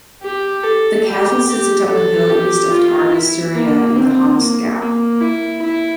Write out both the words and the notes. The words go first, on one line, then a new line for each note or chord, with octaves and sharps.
The castle sits atop a hill east of Tartus, Syria, in the Homs Gap.
G4
A4
G4
G4
A4
G4
F4
E4
A#3
C4
A#3
A#3
E4
E4